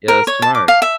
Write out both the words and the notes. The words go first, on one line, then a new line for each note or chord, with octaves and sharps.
Yeah, that's smart.
A#4
C#5
A5
D6
F5
E5